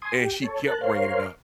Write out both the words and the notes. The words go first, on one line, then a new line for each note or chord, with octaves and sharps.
and she kept bringing it up.
G#5 C6 D#6
G4
A4 C#5
A#4 A5 F#6
A#4 C5 C#5 F5 C6